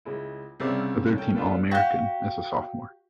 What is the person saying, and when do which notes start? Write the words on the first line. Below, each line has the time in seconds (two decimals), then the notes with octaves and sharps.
A third-team All-American as a sophomore.
0.05 C#2 G#3 E4
0.60 C2 C#3 C4 C#4 D5 E5
1.15 C#4 A4 G5
1.35 B3 D4 F4 A4 B4
1.71 F#4 G4 F5 G5